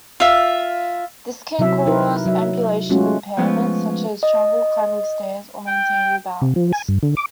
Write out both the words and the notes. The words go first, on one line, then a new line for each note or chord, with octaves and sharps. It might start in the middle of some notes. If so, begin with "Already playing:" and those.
This can cause ambulation impairment, such as trouble climbing stairs or maintaining balance.
F4 E5
C3 F#3 E4 E5
D#4 E4 A#4 B4
F#3 E5
F#3 G#3 A3 C#4 F4 F#4
F3 G#3 A3 B3 C#4 F4
D#5
G5
C3
F3
G#5
G2
D3
D6